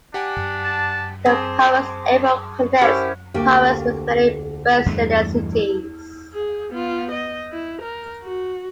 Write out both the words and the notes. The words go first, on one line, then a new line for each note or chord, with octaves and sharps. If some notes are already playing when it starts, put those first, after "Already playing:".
The Palmas Airport connects Palmas with many Brazilian cities.
D4 G4 F#5 G#5
A5
C4 G#4 A5 C6 D6
C#4 E4 G4 A#4 C5 F#5
D2 A#3 G4
E2 G2 A3
G#4
B3 F4
D#5
E4
A#4
F#4